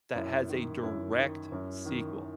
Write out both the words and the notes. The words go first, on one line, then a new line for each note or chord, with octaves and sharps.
that has a direct sequel.
F#2 E4
D#3
F#2 E4
D#3
F#2
D#3